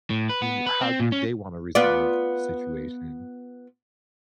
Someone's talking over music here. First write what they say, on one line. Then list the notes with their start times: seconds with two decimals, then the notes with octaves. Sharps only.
w how do they wanna resolve the situation?
0.10 A2
0.29 B4
0.42 B3
0.67 B4
0.81 C4
1.00 A#2
1.12 C#4
1.75 B3 F4 D5